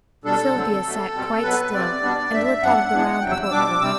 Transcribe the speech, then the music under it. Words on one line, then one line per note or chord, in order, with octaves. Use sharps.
Sylvia sat quite still and looked out of the round port-hole.
B2 G3 D4 A4
D2 D3 F#3 C4
B2 F#3 A3
B2 G3 C4
B2 F#3 B3 B4
C3 G3 C4 D5
B2 G3 B3 D4
G2 D3 A3 E5
F#2 F#3 B3 D4 F#5
A2 E3 B3 D4
E2 C3 F#3 G5
E6
E6
B2 G3 D4 D6
C3 G3 C4 E6